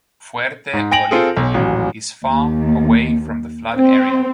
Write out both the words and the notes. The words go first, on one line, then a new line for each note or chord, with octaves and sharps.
Fuerte Olimpo is far away from the flood area.
G#2
G5 G#5 A#6 D7 F7 F#7
C4 F4 G#4 A4
B1
D#1 A1 F#3
D#2
C4